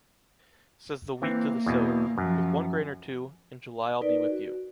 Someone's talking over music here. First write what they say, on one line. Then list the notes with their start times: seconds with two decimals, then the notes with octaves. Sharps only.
Says the wheat to the sower: with one grain or two, in July I’ll be with you.
1.22 E3 A#3 C4
1.66 E2 B2
2.18 F#2 F3
4.01 D#4 A#4 B4 D5
4.29 F#4